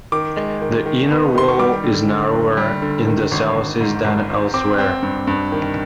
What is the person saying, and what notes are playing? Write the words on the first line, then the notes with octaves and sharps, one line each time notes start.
The inner wall is narrower in the southeast than elsewhere.
D#3 D6
G#3
D#3
D#3
B3
D#3 C6
C#6
G3 D6
D3
D3
F#1
G3
D3
D#3
G#1
G#1
G#2
G#1
G#1
C4 D6
C4
G2
G2
D#3